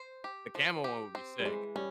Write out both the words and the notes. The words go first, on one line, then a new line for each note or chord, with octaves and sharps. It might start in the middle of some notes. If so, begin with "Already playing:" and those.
The camo one would be sick.
Already playing: C5
G4
F3
G4
C4
G3
E3 G#3
G3 C#4